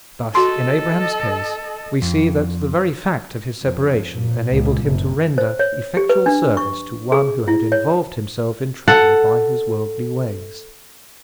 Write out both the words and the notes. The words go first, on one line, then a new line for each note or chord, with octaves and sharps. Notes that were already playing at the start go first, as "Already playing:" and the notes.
Thus, in Abraham's case, we see that the very fact of his separation enabled him to render effectual service to one who had involved himself in trouble by his worldly ways.
F#4 A4 D#5 C6
F2
F2
A#2
C#2 A#2
F#1
C5
C#5
G4
B4
D4
C#6
G#4
E4
C#5
A4 F#5